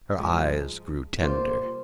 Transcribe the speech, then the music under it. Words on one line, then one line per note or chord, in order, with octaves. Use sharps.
Her eyes grew tender.
G#2 F3 G#3
C3 G3 A#3 F4 C5